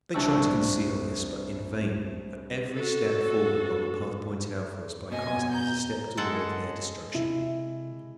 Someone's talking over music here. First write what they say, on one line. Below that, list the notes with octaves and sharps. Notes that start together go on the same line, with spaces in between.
They try to conceal this, but in vain; for every step forward along the path pointed out for us by Christ is a step toward their destruction.
C2 D4 C#6 E6
F#4 A4
B2 B3 D#5 G#5
A#5 G6
G#3 A4 F#5
C3 E4